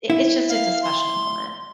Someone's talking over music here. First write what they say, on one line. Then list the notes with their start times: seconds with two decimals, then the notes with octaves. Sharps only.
it it's just it's a special moment.
0.10 E4
0.49 F5
0.83 C6